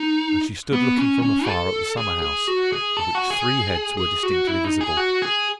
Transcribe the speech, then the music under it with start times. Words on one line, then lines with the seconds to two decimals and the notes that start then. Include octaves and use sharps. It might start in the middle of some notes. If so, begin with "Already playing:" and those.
And she stood looking from afar at the summer-house, in which three heads were distinctly visible.
Already playing: D#4
0.73 B3
0.98 C#4
1.22 C#4
1.47 A4
1.97 G#4
2.22 G#4
2.47 F#4
2.72 G#4
2.97 A4
3.15 F#4
3.30 G#4
3.97 G#4
4.23 F#4
4.47 E4
4.65 D#4
4.81 G#4
4.97 F#4
5.22 G#4